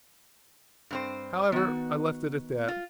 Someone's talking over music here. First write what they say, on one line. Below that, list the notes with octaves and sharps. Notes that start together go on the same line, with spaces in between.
However, I left it at that.
G2 C4 C5
D#3 B3 F#4
F4